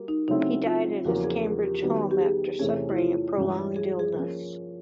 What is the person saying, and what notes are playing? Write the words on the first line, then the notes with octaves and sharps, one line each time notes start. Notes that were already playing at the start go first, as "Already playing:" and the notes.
He died at his Cambridge home after suffering a prolonged illness.
Already playing: G3 A#3 F#4
D#4
C#3 F#3 A3 C4 D#4 E4
F4
E2 C#3 F3 A#3 F#4
G#4
G#4
G4
D#3 G3 B3 F#4
G4
G#4
E2 C3 E3 A3 C#4 G#4
E4
F4
G2 E3 G#3 C#4 E4
G#4
G#4
F3 A#3 C#4